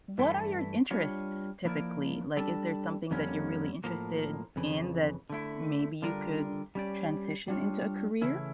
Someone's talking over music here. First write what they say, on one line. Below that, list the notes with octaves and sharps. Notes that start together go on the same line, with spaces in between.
what are your interests typically? Like, is there something that you're really interested in that maybe you could transition into a career?
G2 E3 A3 E4
G3 D4 F4 C#5
F3 A#3 E4 A#4 D5
G3 D4 A4
F2 D3 G3 A#3 C#4
A2 F3 A#3
F2 C#3 E3
D3 A3 E4
D3 G3 D4 F4 A#4
G3 C#4 G4 D5
G3 D4 F4 C#5
C#3 E3 A3 C#4 E4